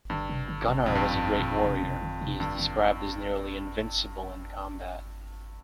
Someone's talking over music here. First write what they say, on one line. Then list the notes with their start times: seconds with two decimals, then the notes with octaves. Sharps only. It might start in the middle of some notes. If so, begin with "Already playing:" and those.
Gunnar was a great warrior - he is described as nearly invincible in combat.
0.10 G2 D3
0.29 C3
0.48 D3
0.67 C3
0.86 F2 A#2
0.95 G2
1.05 F2
1.12 G2
1.38 A#2
1.63 C3
1.82 C3
2.02 D3
2.21 C3
2.39 G2 D3
2.59 D3